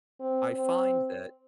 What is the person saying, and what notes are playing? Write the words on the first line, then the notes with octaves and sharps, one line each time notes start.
I find that
C4
C4